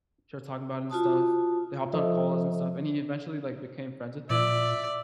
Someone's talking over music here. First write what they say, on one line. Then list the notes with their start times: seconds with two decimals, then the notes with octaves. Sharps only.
started talking about it and stuff, they hopped on calls and stuff, and he eventually, like, became friends with him,
0.90 F4 F#4 A5 D#6
1.93 F3 A4 D#5 E5
4.30 A#2 D5 E5